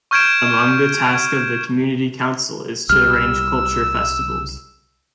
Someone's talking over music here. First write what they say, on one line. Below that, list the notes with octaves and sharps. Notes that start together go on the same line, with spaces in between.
Among the task of the community council is to arrange culture festivals.
C#6 F6 G6 G#6 D7 E7
C2 G3 E6 F6